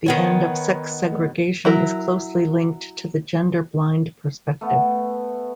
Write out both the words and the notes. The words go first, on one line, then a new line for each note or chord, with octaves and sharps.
The end of sex segregation is closely linked to the gender blind perspective.
D#3 B3 C#5
F#3 E4 A#4
A3 B3